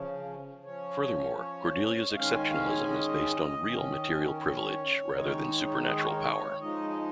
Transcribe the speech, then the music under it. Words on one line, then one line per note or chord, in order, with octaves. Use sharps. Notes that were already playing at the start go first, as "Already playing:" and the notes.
Furthermore, Cordelia's exceptionalism is based on 'real' material privilege rather than supernatural power.
Already playing: C#3 F3 C#4
F3 C#4 C#5
C#5
D#5
D#3 G#3 C#4 F5
G#5
F5
G#5
D#5
D#3 C#4
A#4
C#5
D#3 G#3 D#4
D#5
C#5
A#4
C#5
F3 G#3 D#4 D#5
D#5